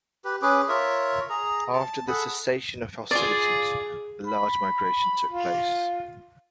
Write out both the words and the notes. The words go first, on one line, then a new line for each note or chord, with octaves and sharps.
After the cessation of hostilities, a large migration took place.
G4 B4
C#4 G#4 B4 D6
F4 A#4 C#5 E5
G#4 A#5
A5
G#4 A4 F#5 B5
F4 G#4 D5
B5
F4